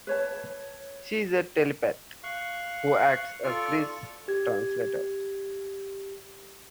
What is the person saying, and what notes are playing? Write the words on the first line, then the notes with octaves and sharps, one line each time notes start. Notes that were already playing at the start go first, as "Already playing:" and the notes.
She is a telepath who acts as Chris' translator.
B4 C#5 A5
F5 C#6 F#6
F4 A4 D5 C#6 F6
G4 G#6